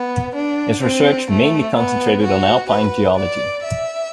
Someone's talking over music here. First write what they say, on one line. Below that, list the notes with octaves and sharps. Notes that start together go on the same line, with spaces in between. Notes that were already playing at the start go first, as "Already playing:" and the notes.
His research mainly concentrated on alpine geology.
Already playing: B3
D4
C4
A3
B3
F#4
B4
D5
E5